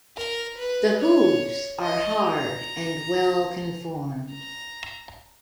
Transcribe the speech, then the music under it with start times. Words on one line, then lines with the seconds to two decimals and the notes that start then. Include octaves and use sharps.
The hooves are hard and well-conformed.
0.18 A#4
0.58 B4
1.00 C#5
1.82 D#5
2.24 A#5
4.31 A#5